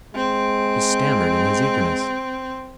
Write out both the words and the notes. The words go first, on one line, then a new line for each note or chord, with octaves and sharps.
He stammered in his eagerness.
G#3 C4